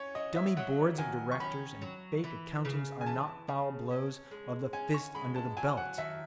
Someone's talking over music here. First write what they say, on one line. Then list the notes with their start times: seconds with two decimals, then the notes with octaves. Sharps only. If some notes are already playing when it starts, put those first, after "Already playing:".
Dummy boards of directors and fake accountings are not foul blows of the fist under the belt.
Already playing: C#4 C#5
0.15 F#3 D#5
0.36 E5
0.57 F#3 F#5
0.98 D#3 G#5
1.32 C#6
1.40 C#4 B5
1.82 F#3
2.24 E3
2.65 C#3
3.01 G#5
3.06 E3 A5
3.48 C#3
3.90 C#4
4.31 G#3
4.73 C#4 G#5
4.94 C#6
5.15 G#3 B5
5.36 A5
5.57 F#3 G#5
5.77 F#5
5.98 D#3 E5